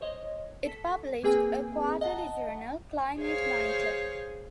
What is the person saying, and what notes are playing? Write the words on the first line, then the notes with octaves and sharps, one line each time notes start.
It published a quarterly journal, "Climate Monitor".
C5 C#5 D#5
A4 B6
A#3 C4 G#4 B4 G5 G#5
D#5 F#5 A5 A#5
G#4 C5 C#5 F5